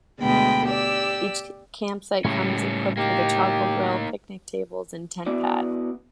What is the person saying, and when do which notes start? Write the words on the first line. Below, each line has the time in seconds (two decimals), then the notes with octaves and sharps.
Each campsite comes equipped with a charcoal grill, picnic table and tent pad.
0.20 D2 B2 G#3 G5 B5
0.68 G4 D5 E6
2.24 A2 C#3 G3 G#3 C#4
2.97 A#3 D#4 G4
5.26 B3 E4 F#4 D5